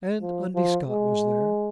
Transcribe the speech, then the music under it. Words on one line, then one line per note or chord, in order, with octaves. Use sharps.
And Undy Scott was there.
F3
F3
G#3